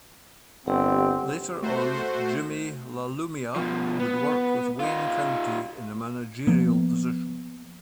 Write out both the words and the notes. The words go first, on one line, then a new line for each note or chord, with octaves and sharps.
Later on Jimi LaLumia would work with Wayne County in a managerial position.
G1 C4 G4 F#5
A3 F#4 C5
B2 F3
B3
D#4 F4
F3 A#3 B3